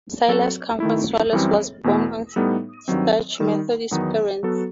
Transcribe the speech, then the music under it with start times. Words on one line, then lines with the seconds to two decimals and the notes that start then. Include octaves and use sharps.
Silas Comfort Swallow was born of staunch Methodist parents.
0.28 F#3 C4 F#4 A4
0.80 D#3 A3 E4
1.33 F#2 E3 G3 C4
1.84 E2 B2 A3 E4
2.36 A2 G3 B3 D#4 A4
2.88 G2 D#3 F#3 C4
3.40 D#3 G3 D#4
3.91 E2 D#3 F#3 B3 D#4
4.43 F#3 B3 F#4 A4